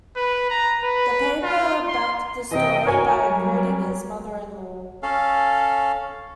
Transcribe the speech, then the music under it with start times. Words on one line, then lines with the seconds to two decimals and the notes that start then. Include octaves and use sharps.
The paper backed the story by quoting his mother-in-law.
0.16 B4
0.50 A#5
0.83 B4
1.43 F4
1.88 C6
2.51 C3 E3 D#5 G5
2.85 F#4 A#4 C#5 G#5
3.27 F#3 G3
5.03 C#4 A4 F5